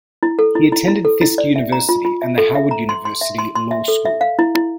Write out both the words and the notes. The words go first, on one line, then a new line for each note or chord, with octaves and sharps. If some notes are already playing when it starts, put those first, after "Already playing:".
He attended Fisk University and the Howard University Law School.
E4
A4
E4
E4
E4
A4
E4
D5
E5
A#5
F4
F4
E5
A4
E5
A#5
C6
C6
E5
C6
C6
E5
A4
E5
F5
E4
E4